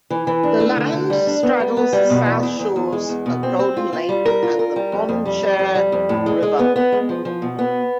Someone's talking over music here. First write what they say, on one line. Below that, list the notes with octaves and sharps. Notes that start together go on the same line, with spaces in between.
The land straddles the south shores of Golden Lake and the Bonnechere River.
E3
E3
D4
A3
D3
D3
G3
D4
B3
G3
B3
G3
B2
E2
E2
E2
E2
G#3
E2
B2
C4
C4
F4
F4
G3
A#4
F4
A#4
G3
F2
F2
G3
F2
F2
G3
F2
A2
G#3
G#3
B3
B3
G#3
F3
F3
B2
B3